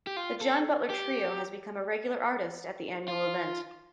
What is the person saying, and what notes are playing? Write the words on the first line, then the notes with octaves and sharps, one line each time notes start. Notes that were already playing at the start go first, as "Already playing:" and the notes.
The John Butler Trio has become a regular artist at the annual event.
G4
F4
A4
G4
F4